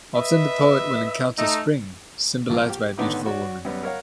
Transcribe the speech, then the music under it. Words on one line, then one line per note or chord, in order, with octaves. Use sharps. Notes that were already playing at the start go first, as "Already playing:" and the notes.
Often the poet will encounter Spring, symbolized by a beautiful woman.
B4 D#5 E5
A3 D#4
C2 F3 A#3 F5
G4
A1 D3 D#3 B3 D#4 D6
F#4 C#5 D5
F#2 G3 B3
A#4 C#5 F5 F#5